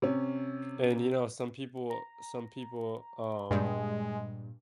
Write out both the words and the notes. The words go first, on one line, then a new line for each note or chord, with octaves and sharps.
and, you know, some people some people, um,
C3 C#4
A#5
G2 A#2 G#3